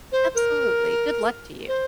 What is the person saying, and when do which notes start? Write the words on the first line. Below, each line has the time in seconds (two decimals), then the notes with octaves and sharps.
Absolutely, good luck to you.
0.12 C5
0.35 A#4
1.68 C5